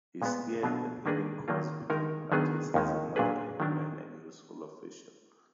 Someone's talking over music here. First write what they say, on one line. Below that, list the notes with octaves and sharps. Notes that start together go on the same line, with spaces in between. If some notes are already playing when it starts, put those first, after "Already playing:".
He steered an even course between parties as a moderate man and useful official.
A#2 G#3 B3
B2 F#3 D4 F4
D#3 A#3 D4 G#4 B4
D#3 F#3 A#3 F4
D#3 G#3 D#4 A#4
D#3 F#3 B3 D4 G#4
D#2 D#3 G#3
A#2 F#3 D4 G#4 B4
D#3 F#3 D4